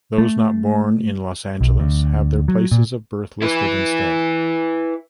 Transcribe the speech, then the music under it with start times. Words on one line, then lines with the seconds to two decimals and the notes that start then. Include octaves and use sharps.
Those not born in Los Angeles have their places of birth listed instead.
0.18 A3
1.61 B1
1.80 D2
2.48 F#3
2.71 A#2
3.42 E4 B4